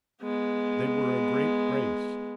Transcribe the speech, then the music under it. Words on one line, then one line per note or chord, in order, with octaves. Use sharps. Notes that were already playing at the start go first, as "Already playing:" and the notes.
They were a great race.
G#3 B3